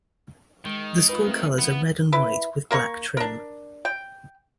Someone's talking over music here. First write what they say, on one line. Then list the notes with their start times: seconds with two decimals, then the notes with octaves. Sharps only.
The school colors are red and white with black trim.
0.66 D#3 G#3
1.09 F4 B4
1.27 A3 C4
1.58 E3 B3
2.12 E4 B4
2.71 A#3 A#4 B5 C#6
3.17 D4 A#4
3.85 G5